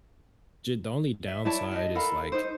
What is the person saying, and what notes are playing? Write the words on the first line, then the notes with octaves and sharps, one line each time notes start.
ju The only downside is, like
E5
E4 C#5 D5 A5
D#5 E5
A4 A#4 F5 B5
D#4 C5